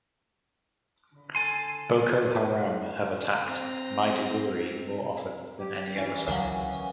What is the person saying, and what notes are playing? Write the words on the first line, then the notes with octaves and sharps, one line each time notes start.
Boko Haram have attacked Maiduguri more often than any other settlement.
A4 G#5 C6
C4 A#5
G4
E3 C#4
C#2 D3 F#3 A#4 F5 F#5